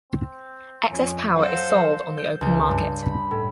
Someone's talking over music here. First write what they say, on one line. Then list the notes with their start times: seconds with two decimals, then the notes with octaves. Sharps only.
Excess power is sold on the open market.
0.12 C4
0.89 F2 C#4
1.36 F#3 A4 C5 F5
2.17 G6
2.41 C#2
2.69 G2
3.03 B5
3.31 A2